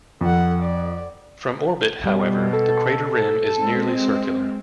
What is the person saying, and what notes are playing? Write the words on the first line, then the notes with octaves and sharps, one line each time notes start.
From orbit, however, the crater rim is nearly circular.
F2 A4 F#5
D5
B2 G3
A4
G#3 C4